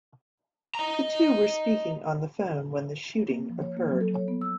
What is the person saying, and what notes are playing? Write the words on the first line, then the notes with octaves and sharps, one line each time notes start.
The two were speaking on the phone when the shooting occurred.
D#5 A#5
A#3
F3
C#5
A#3
F#3
A4
C#5
B3
E6